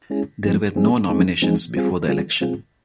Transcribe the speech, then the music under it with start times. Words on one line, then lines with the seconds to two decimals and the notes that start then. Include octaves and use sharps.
There were no nominations before the election.
0.10 G#3 C#4 E4 G#4
0.43 F3 G#3 C4 D#4 G#4
0.75 F3 G#3 C4 D#4 G#4
1.09 F3 G#3 C4 D#4 G#4
1.42 F3 G#3 C4 D#4 G#4
1.75 G3 C4 F4 G#4
2.08 G3 C4 F4 G#4
2.41 G3 C4 F4 G#4